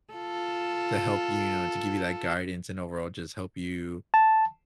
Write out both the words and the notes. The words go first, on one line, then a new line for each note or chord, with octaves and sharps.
to help you, you know, to give you that guidance and overall just help you,
F4 A4
A5